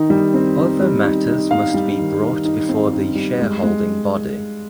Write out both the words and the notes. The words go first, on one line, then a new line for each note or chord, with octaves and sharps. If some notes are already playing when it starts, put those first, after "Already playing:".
Other matters must be brought before the shareholding body.
Already playing: D#3 D#4
G3
C4
D#4
G3
D#4
D#4
D#4 F5
G3
D#3
D#4
D#4
C4
D#4
G3
G#3
G#3